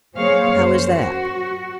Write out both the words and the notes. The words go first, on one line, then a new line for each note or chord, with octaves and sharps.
"How is that?"
F#3 A#3 G#4 C5 C#5 F5
F#2 C5
F#4